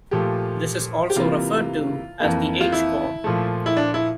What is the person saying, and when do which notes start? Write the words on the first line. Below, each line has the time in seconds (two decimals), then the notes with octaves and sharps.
This is also referred to as the "H chord".
0.11 A#2 F3 A3 G4
1.10 G4
1.16 C3 E3 G3 A#3 F4
2.20 F2 E3 A#3
2.61 F4
2.72 E4
3.24 A#2 F3 A3
3.66 E4
3.77 D4
3.94 E4